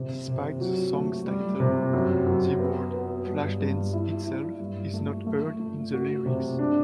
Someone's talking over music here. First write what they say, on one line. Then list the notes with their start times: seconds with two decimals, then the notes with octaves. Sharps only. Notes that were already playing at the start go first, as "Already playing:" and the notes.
Despite the song's title, the word "Flashdance" itself is not heard in the lyrics.
Already playing: C3
0.28 C3
0.61 F#3
0.93 A3
1.26 G3
1.60 C3
1.93 F#2
2.26 F#2
2.60 B3
2.93 B3
3.27 G2
3.60 G2
3.93 E4
4.26 E4
4.60 G2
4.94 A3
5.27 A3
5.60 A3
5.93 F#4
6.26 C3
6.59 D4